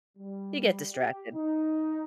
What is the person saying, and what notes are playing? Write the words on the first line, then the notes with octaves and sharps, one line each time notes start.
You get distracted.
G3
G4
D#4